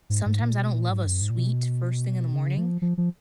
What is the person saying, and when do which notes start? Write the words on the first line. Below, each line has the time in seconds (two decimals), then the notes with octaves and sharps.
sometimes I don't love a sweet first thing in the morning,
0.10 G#2
0.26 G#2
0.42 A#2
0.58 B2
0.74 A#2
0.90 G#2
1.06 F#2
1.22 G#2
1.30 A#2
1.37 B2
2.34 C#3
2.58 F3
2.82 F3
2.98 F3